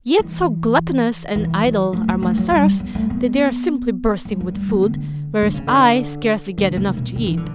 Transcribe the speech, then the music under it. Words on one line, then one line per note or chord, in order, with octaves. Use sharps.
Yet so gluttonous and idle are my serfs that they are simply bursting with food, whereas I scarcely get enough to eat.
E3
E3
F#3
A3
B3
A3
F#3
G3
B3
A3
B3
G3
F#3
G3
B3
D3
D3
C#3
D3
D3
C#3
B2
D3
E3
D3